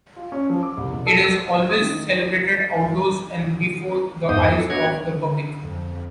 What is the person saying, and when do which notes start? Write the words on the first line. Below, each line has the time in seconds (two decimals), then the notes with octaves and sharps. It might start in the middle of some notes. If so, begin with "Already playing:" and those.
It is always celebrated outdoors and before the eyes of the public.
0.16 F4
0.32 C#4
0.50 F3
0.63 D6
0.77 C2
0.90 E1
1.07 A4
1.24 E6
1.51 C5
1.69 D#6
1.82 D#3
4.29 F2 G#2 B3 D#4 C5 D#6
4.58 A4
4.70 B3 D4 F#4 C#5 G#6
5.14 D3
5.61 F2